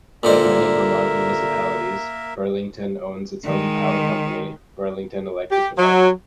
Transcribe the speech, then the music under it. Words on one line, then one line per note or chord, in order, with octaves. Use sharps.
Like many Vermont municipalities, Burlington owns its own power company, Burlington Electric Department.
A#2 D3 A#3 A#4 C5 E5
D#3 G#3
G4
F#3